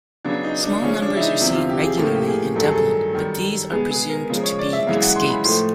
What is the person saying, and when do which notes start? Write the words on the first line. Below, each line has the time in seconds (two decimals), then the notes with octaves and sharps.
Small numbers are seen regularly in Dublin, but these are presumed to be escapes.
0.25 C#3 F#3 B3 D4
0.44 D#4
0.63 D4
0.82 C#3 F3 G#3 C#4
1.02 D4
1.17 E4
1.21 D#4
1.40 E2 C3 F3 E4
1.55 F4
1.69 G4
1.84 G#4
1.97 A2 F3 A#3 A4
2.16 G4
2.27 G#4
2.56 G2 D#3 F#3 A4
2.63 G#4
2.71 A4
3.13 F#2 D#3 G3
3.72 B2 G#3 B3 G#4
3.91 G#4
4.10 A#4
4.30 C#3 F3 G#3
4.44 C#5
4.59 D5
4.73 E5
4.87 F#2 C#3 E3 G#3 F5
5.01 F#5
5.16 C6
5.30 B5
5.44 A2 F3 A3 C6